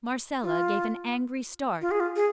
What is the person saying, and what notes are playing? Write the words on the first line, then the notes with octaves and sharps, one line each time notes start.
Marcella gave an angry start.
F4
F4
G#4
F4
G#4